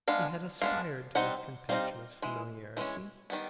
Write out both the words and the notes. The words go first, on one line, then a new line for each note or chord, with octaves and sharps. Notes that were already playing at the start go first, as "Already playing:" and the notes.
He had aspired to this contemptuous familiarity.
G#3 B3 D4 F5
G#3 B3 D4 F5
G3 C4 D#4 F#5
G3 C4 D#4 F5
E3 G#3
E3 G#3 C#4
D#3 G3 B3